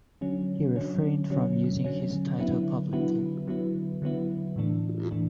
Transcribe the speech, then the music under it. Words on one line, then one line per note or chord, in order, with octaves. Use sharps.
He refrained from using his title publicly.
D3 F#3 C#4
D3 F#3 C#4
D3 F#3 C#4
D3 F#3 C#4
D3 F#3 B3 E4
D3 F#3 B3 E4
D3 F#3 B3 E4
D3 F#3 B3 E4
A2 E3 A3 D4
A2 E3 A3 D4